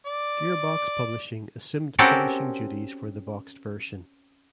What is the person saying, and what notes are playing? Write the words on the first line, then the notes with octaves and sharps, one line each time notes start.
Gearbox Publishing assumed publishing duties for the boxed version.
D5
C4 C#4 F#4 G4 A4 A#4